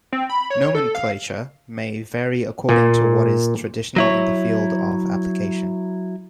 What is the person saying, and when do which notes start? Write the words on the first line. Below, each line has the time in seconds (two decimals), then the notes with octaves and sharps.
Nomenclature may vary according to what is traditional in the field of application.
0.13 C4
0.30 B5
0.50 C#5
0.75 A4
0.95 F5
2.69 A#2
3.96 F#3 E4 C#5